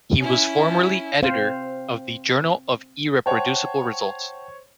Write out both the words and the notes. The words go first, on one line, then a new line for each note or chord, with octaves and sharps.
He was formerly editor of the "Journal of Irreproducible Results".
C#4 E4
C4 C5 F5
C5 C#5 F#5 G5 A5